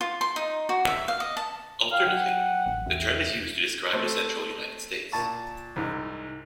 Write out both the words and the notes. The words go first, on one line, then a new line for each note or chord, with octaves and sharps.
Alternately, the term is used to describe the central United States.
F4
C6
D#4
F#4
E5
F5
D#5
A5
F5 G5
F#3 F#5
A1
E2 E5
A3 C4 C5
A#2 A5 C#6
C2 G#2